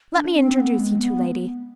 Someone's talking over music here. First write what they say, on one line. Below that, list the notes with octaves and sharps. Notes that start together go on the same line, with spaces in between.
Let me introduce you two ladies.
D4
C4
B3
G#3
B3